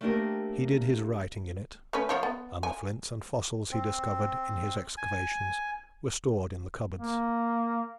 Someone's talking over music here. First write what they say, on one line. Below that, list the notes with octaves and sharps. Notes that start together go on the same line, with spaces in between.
He did his writing in it, and the flints and fossils he discovered in his excavations were stored in the cupboards.
A3 A#3 C4 D4 G4 A#4
A3 C#4 B4
F3 C#5 F#5
B3
G#5
C4
G#5
A#3